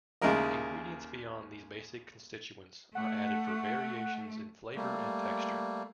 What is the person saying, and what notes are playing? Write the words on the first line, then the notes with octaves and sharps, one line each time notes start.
Ingredients beyond these basic constituents are added for variations in flavor and texture.
D#2 C#3 G#3 E4 A#4 D#5
A3 F#5
G3 A3 A#3